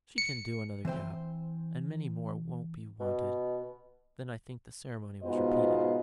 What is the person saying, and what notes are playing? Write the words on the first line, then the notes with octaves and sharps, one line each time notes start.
"She can do another cap, and many more won't be wanted." Then I think the ceremony was repeated.
C#7
E3 C4 C5 G5
B2
G#2 B2 B3 F4 C5 D#5